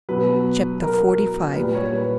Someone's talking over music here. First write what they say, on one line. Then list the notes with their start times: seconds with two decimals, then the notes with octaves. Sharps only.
Chapter XLV.
0.09 B2 F#3 B4
0.82 A#4
1.56 A#2 G3 B4
1.75 C#5
1.93 B4